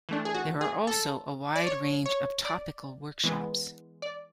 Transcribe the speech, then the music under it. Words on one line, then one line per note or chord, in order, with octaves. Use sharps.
There are also a wide range of topical workshops.
E3 A3 D4
G#4
F#4
G#4
A4
D5
C#5
C#5
D5
E3 G#3 B3
D5